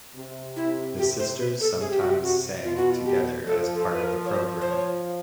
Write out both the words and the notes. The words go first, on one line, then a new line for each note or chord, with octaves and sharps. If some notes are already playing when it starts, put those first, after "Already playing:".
The sisters sometimes sang together as part of the program.
C3
E4
G4
C5
B4
A4
C3 G#4
G4
F#4
G4
F#4
B2 F4
F#4
F4
G4
F3 A4
A4
B4
A#4
C#5
C5
C5
C#5